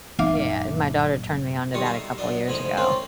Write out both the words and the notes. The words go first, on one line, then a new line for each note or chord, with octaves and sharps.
yeah, my daughter turned me onto that a couple years ago,
F#1 A#2 D#4 E5 F5 D6
B1 D#3 G3 F4 C#6 D#6
E5 F5 A#5
F#2 D4 D5 D#5
D2 G#2 F3 G#5 B5 D#6
C4 C#4 F4 A#4 C5